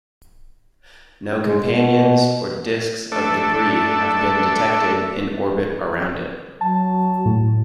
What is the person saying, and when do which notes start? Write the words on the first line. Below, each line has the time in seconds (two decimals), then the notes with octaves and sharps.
No companions or disks of debris have been detected in orbit around it.
1.43 G#3
1.64 B2
3.12 A3 D4 A4 E5
6.61 F#3 A5
7.25 A2